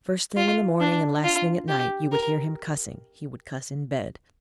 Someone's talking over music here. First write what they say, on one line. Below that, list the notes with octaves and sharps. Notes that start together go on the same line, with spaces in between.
First thing in the morning and last thing at night, you would hear him cussing--he would cuss in bed.
F4
D4
F4
G4
A#4